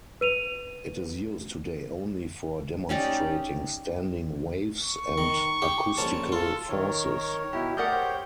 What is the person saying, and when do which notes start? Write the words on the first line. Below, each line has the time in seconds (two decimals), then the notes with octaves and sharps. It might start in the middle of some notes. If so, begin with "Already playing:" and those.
It is used today only for demonstrating standing waves and acoustical forces.
0.21 B4 D#7 F7
2.89 C#4 D#4 G4 D5
4.83 C#6
5.18 D#3
5.62 G4
5.97 A#1 C#4 A5
6.32 F4 A4
6.69 D#3 A#4 C#5
7.53 B2 E4 G4
7.77 A3 G4 G#4 A#4 D5 F#5 G6
7.91 C5 C#5 G5